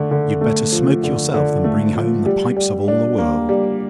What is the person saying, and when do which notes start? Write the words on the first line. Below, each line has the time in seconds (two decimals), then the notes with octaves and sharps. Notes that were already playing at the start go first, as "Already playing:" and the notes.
You'd better smoke yourself, than bring home the pipes of all the world.
Already playing: D3 A3
0.11 D3
0.41 A3
0.72 F3
1.03 D3
1.34 D3
1.64 A3
1.95 F3
2.26 G3
2.56 G3
2.88 D4
3.18 A#3
3.49 G3